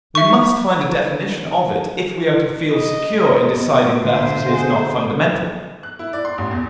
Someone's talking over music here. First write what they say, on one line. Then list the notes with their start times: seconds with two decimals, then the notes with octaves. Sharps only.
We must find a definition of it, if we are to feel secure in deciding that it is not fundamental.
0.15 E5 C#6
2.72 D#5
3.56 B3
4.04 D3 C5 E5 F5
4.46 G#4 A4 F#5
5.83 F#6
5.99 E4
6.13 D5
6.25 C6
6.38 A1
6.51 E2